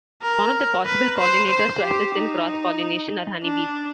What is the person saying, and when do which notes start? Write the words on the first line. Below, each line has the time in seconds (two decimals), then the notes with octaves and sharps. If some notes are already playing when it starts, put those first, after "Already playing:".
One of the possible pollinators to assist in cross-pollination are honeybees.
0.22 A#4
0.86 B4
1.19 C5
1.50 C5
1.82 G4
2.15 D#4
3.43 D4